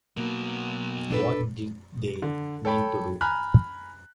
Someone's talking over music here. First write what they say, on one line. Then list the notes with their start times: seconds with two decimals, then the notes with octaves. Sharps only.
What did they mean to do?
0.17 B2 F#3 A#3
1.11 D4 A4 B4
2.22 D3
2.65 A4 C#5 G5 B5
3.21 G#5 A#5 B5 F6 F#6